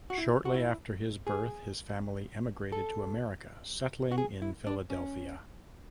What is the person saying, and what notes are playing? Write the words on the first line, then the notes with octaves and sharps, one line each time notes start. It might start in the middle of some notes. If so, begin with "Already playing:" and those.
Shortly after his birth his family emigrated to America, settling in Philadelphia.
F#4
E4
F#4
E4
G#4
A4
F#4
G#4
E4
D4
C#4